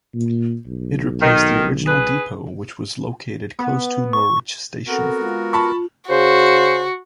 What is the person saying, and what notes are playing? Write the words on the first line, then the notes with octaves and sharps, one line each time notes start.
It replaced the original depot which was located close to Norwich station.
A#2
B1
D#3
G#4 B4
B3
C#6
B3 C4 F#4 A4 A#4 F#5
G#3 F4 F5
F4 A5 B5 C#6
C#3 F#4 C5